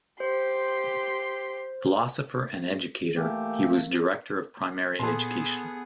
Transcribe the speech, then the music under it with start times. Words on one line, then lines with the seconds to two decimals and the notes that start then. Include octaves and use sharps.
Philosopher and educator, he was Director of Primary Education.
0.20 G4 C5 C6
3.16 E3 A3 A#3 G4
4.99 A#2 B3 G#4 A4 C6